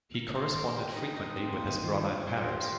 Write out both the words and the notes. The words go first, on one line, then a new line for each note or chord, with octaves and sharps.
He corresponded frequently with his brother in Paris.
A#4
C5
A#4
G4
D#4
D#4
C4
A#3
D#3
F3
C5
A#4
G4
F4